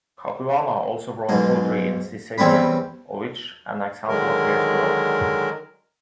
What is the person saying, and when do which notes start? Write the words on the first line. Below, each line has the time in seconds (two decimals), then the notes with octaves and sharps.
Capuana also wrote poetry in Sicilian, of which an example appears below.
1.29 B1 G#2
2.38 E2 G3 C4 C#4 B5
4.08 D3 D#3 F#3 G#3 A#4